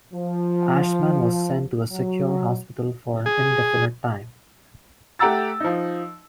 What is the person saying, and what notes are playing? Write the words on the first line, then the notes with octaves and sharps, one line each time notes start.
Ashman was sent to a secure hospital for an indefinite time.
F3
F#3
G#4
A3 G4 F#5 A#5 E6 A6
F3 D#4